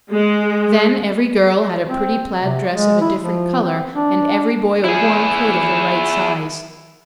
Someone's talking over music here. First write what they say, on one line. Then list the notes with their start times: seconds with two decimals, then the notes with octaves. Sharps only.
Then every girl had a pretty plaid dress of a different color, and every boy a warm coat of the right size.
0.12 G#3
1.89 C4
2.41 C3
2.72 G#3
3.01 E4
3.21 F3
3.64 C4
3.95 D4
4.84 E4 G#4